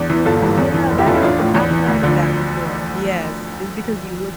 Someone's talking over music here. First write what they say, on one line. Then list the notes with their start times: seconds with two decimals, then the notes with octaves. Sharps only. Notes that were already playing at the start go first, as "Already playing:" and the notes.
Oh, yeah, that c I've heard of that before, yes, just because you look
Already playing: E2 D4
0.10 E3
0.25 G1 F4 A4
0.42 G2 E3
0.58 E2
0.74 E3
0.90 F1
0.98 E4 G4
1.06 E2 E3 F4 A4
1.14 C#4 E4
1.22 A1 D4 F4
1.39 A2 F3
1.54 E2
1.71 E3
1.86 D2
2.03 D3 F3